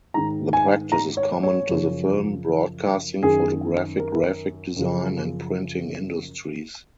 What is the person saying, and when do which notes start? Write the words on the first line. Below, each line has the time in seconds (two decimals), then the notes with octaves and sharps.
The practice is common to the film, broadcasting, photographic, graphic design and printing industries.
0.14 G#2 D#3 A#5
0.53 G#5
0.92 A#5
1.17 C#5
1.43 C#5
1.69 F#2 C#3 F3
3.23 F#2 D#3 G#4
3.99 A#4
4.76 F#2 C#3 F3